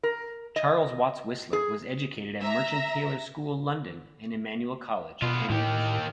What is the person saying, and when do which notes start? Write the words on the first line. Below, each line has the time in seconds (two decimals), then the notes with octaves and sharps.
Charles Watts Whistler was educated at Merchant Taylors School, London and Emmanuel College, Cambridge.
0.03 A#4
0.56 D#5
1.53 G#4
2.41 E5 A#5
5.22 B2 B3 F4
5.50 A2 D#3 G4